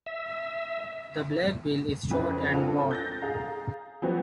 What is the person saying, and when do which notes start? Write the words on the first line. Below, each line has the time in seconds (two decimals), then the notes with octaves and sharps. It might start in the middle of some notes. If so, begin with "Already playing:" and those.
The black bill is short and broad.
0.06 E5
2.11 F2 C#3 C4 B4
2.52 C4 D4 F4 A4
2.91 G6 A6 A#6
3.22 G#4 F5 A#5
4.02 F3 F#3 B3 C4 F#4 G4